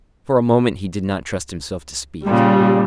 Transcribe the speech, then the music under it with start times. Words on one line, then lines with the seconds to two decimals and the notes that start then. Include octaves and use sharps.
For a moment he did not trust himself to speak.
2.27 A#2 C#3 G3